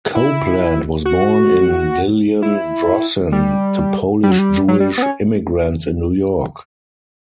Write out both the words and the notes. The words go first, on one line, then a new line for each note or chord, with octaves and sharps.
Copeland was born Lillian Drossin to Polish Jewish immigrants in New York.
E4
F#4
E4
G3
G3
F#3
G3
F#3
G3
B3
C#4